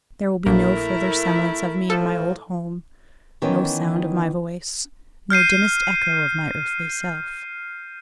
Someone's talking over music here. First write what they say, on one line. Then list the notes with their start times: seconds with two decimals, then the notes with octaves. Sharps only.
There will be no further semblance of me in my old home, no sound of my voice, no dimmest echo of my earthly self.
0.46 A#1 A3 E4 A#4
1.90 A2 F3 A4
3.42 D#3 E3 B3 C#4 A#4
5.30 F6 G6 C7 D#7